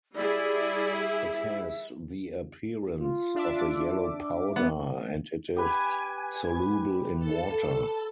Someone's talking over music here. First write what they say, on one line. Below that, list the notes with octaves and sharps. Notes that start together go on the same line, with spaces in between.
It has the appearance of a yellow powder, and it is soluble in water.
G3 E4 G#4 D5
E5
F4
D4 E5 D6
B3
G4 B4 G#5
A4